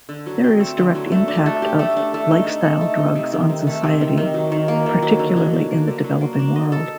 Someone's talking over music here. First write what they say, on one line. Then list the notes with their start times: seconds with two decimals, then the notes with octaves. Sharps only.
There is direct impact of lifestyle drugs on society, particularly in the developing world.
0.09 D3
0.26 F#3
0.43 C4
0.60 A3
0.78 D3
0.95 F#3
1.12 A3
1.28 D4
1.46 A3
1.62 G4
1.79 A3
1.96 D4
2.14 A3
2.31 D#4
2.47 A3
2.64 A4
2.81 A3
2.98 D#4
3.15 C3
3.32 D#3
3.49 C3
3.67 A3
3.84 C3
4.01 D#3
4.17 D#3
4.34 F#3
4.52 D#3
4.68 A#3
4.86 D#3
5.02 F#3
5.19 D3
5.36 F#3
5.53 D4
5.71 A#3
5.87 D3
6.04 F#3
6.21 A#3
6.39 D4
6.56 D#5
6.72 A4